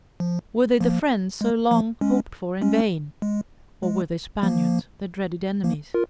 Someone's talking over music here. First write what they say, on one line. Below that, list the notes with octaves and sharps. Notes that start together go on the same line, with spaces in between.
Were they the friends so long hoped for in vain? or were they Spaniards, their dreaded enemies?
F3
F3 A#3
G#3
F3 A#3
G#3 C#4
G#3 C#4
G#3
G#3
F3 A#3
F3 A#3
F4 A#4